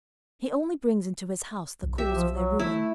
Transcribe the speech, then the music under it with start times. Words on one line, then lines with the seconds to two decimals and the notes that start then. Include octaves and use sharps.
He only brings into his house the cause of their ruin.
1.83 B1
1.98 G4 E5
2.15 F3
2.31 F#3
2.59 A3 E4